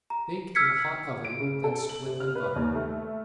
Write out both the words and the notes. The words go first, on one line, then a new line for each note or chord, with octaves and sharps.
Bake in a hot oven, then split and butter.
A#5
E6 F6 G#6 B6 C#7
D7
C#3
A4
F#7
C3
F6
B4
D#2
A3